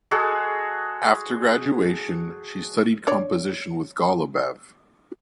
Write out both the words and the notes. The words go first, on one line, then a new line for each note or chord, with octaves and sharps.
After graduation, she studied composition with Golubev.
G#3 F#4 G#4 A4
D4 C#5 D5